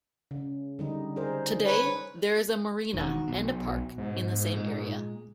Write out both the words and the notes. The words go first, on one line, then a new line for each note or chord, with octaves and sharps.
Today there is a marina and a park in the same area.
C#3
D3 G3 D#4
G#4 A#4 C5
B4 C#5
E1 D#3 F#4
B1 B2
G#2
A#2 G#3